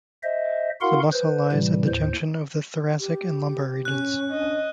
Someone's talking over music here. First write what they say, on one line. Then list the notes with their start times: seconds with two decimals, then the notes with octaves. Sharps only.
The muscle lies at the junction of the thoracic and lumbar regions.
0.23 C5 D#5 E5
0.81 E4 F#4 A#4 F5 F#5 C6
1.12 B4 C5
1.52 A2 C3 E3 G3
1.87 D#2 A2 C5
3.00 G4
3.85 C#4 F#6
4.31 D4 D#5